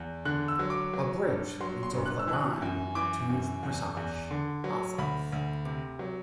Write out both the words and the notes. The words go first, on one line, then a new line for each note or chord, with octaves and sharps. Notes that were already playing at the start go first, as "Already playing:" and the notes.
A bridge leads over the Rhine to Neuf-Brisach, Alsace.
Already playing: E2
D3 F#6
E6
F#3
D6
F#3
G2
F#3 C6
C6
G2
F#6
E6
E3
F#6
F#2
E3 D6
F#2
E2
E2
D3
F#3
D2 B5
D2
C3
F#3